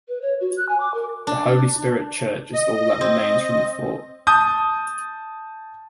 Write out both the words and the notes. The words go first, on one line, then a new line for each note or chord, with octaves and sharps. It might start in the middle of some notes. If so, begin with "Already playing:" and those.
The Holy Spirit church is all that remains from the fort.
B4
C#5
F#4
F#6
G#5
D6
A#4
D4
D#5
C4
A5 D#6 G6